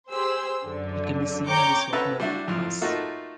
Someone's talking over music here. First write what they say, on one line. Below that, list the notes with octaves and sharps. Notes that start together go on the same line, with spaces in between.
It can be seen in the Swartberg Pass.
G4 G#4 C5 E6
F#2 D3
C#5 G5 A#5 D6 G6 C#7
C#4 A4 B4 E5 F#5 A#5
G3 D4 E4 F#4
F2 A2 F4
A3 A#3 D#4 F4 F#4 A4